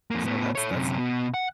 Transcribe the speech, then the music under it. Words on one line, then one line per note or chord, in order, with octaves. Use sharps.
so that's that's
F2 A#3
A2 B3
A4 C#5
F#2 C3
B2
F#5